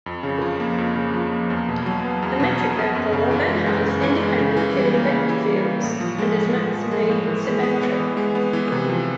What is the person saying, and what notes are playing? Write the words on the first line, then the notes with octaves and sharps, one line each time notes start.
The metric therefore then has independent Killing vector fields and is maximally symmetric.
F2
C#3
F3
A#3
F2
C#3
F3
A#3
E2
B2
F#3
B3
E2
B2
F#3
B3
F#2
C#3
E3
G#3
F#2
C#3
E3
G#3
C#3
E3
G3
A#3
C#3
E3
G3
A#3
A2
F3
G#3
A2
A2
F3
G#3
A2
E3
G#3
B3
E3
E3
G#3
B3
E3
C3
F3